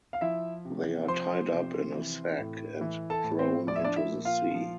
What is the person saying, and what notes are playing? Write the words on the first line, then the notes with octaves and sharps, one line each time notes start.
They are tied up in a sack and thrown into the sea.
F5
F3 E4 E5
C3
F3 C5 C6
C3
E3
A2
E3
A4 A5
A2
C4 C5
F3 D5
E5
D4 D5
E4 E5
A#2
F4 F5
F3